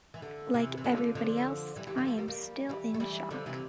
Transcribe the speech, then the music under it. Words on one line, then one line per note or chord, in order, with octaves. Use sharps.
Like everybody else, I am still in shock.
E3
D3
C3 E3
E3
D3 F3
D3 F3
E3 G3
E3 G3
D3 F3
F3 A3
G3 A#3
G3 A#3
E3 G3
A3
E3 G3
D3 F3
C3 E3